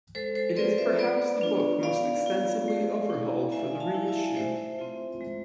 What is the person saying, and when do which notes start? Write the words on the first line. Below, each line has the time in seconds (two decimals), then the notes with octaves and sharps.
It is perhaps the book most extensively overhauled for the reissue.
0.15 G#3 A4 C5
0.35 A4 C5
0.57 C4 F4 B4 D5
0.78 C5 E5
0.99 B3 B4 D5
1.41 D4 F4
1.83 B3 D5 F5
2.26 F4
2.68 A3
3.10 E4
3.52 A3 E5 G#5
3.80 F5 A5
3.94 E4
4.08 E5 G#5
4.36 A3 C5 E5
4.79 C4 F4
5.21 G#3